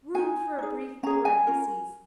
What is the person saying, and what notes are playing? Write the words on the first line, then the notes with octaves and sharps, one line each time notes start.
Room for a brief parenthesis.
D#4 G#4 G#5
D#4 G#4
C#4 G#4 A#5
G#5
C#4 F4 A#4